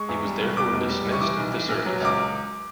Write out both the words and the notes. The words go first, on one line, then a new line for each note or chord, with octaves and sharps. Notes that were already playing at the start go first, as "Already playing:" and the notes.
He was therefore dismissed the service.
Already playing: G#3 C#6
E2
G3
C2
B2 D6
F1
G3
C2
C#6
E3 D6
B1
E3
A#1
F#3
C#2 D6